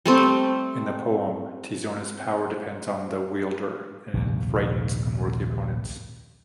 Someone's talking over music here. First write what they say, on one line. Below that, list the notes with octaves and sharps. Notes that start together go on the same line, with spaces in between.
In the poem, Tizona's power depends on the wielder, and it frightens unworthy opponents.
G3 A3 C4
A#1 D#2 G#2 C3